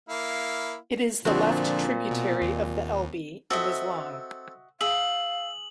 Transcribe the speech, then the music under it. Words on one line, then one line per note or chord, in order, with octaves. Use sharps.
It is a left tributary of the Elbe and is long.
A#3 E4 F5
A#2 D3 F3 C4 D4 F#4
B2
D#2
C4 F#4 A4 D#5 E5
G#4 E5 F5 F#7